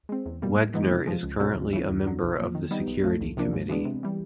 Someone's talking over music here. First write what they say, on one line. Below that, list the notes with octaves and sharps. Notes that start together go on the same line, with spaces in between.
Wegener is currently a member of the Security Committee.
G#3 C4
E2
B2 G3 A#3
A2
E3 G#3 B3 D#4
C3
F3 G#3
C#2
B2 F#3 A3 C#4
D2
C#3 E3
D#2
D3 F#3
B1
A#2 F3
D#3
G3 B3 D#4
B1
A2 F3 A3
C2
C3 F3 A#3 D4
G#2
E3 G#3 B3 D4
C3
E3 G3